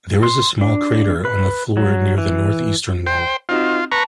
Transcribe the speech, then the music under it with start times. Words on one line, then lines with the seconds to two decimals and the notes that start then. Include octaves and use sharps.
There is a small crater on the floor near the northeastern wall.
0.23 C6
0.61 D4
1.25 B4
1.77 F#3
2.18 E3
3.06 C5 G5
3.49 C4 D#4 F4 F#4
3.92 B4 A5 A#5 C#6